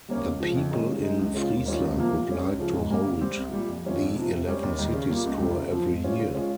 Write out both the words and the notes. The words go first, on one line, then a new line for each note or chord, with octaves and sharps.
The people in Friesland would like to hold the Eleven Cities Tour every year.
G3 A#3 C#4
C#2
C#3 F3
F2
D#3 G#3 C#4
C#3
G#3 D#4
C#2
C#3 G#3 C#4 F4
D#2
D#3 G3 C#4 F4
C#2
C3 F3 A#3
A#2
G3 C#4
C#2
C#3 F3
G#2
G3 A#3
C#3
G3 C4
C2
A#2 G3
F2
D#3 G3 C#4 F4
F2
C3 F3
C3
G3 C#4
D#2
D#3 G3
C#3
G3 A#3 F4
C#2
C3 G3 C4 F4
C#3
F3 C4
G#2
G3 C#4 F4
C#3
G#3 C#4 F4